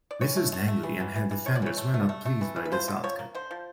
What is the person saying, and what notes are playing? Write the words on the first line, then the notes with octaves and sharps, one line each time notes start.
Mrs Langley and her defenders were not pleased by this outcome.
D5
E3 C#5
A3
A3
A3
E3
E3
E3
E3
A3 C#5
D5
E3 C#5
A3
A3
A3
A3
E3
E3
B4
F3 C5
D3
F3 C#5
A#3
D3 C5
F3